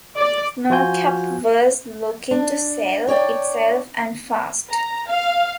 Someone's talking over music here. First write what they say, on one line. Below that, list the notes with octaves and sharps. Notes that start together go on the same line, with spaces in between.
Snocap was looking to sell itself and fast.
D5
F3 F4 F#4 G#5 G6
D4
D4 C#5 D5 G5
A#5
F5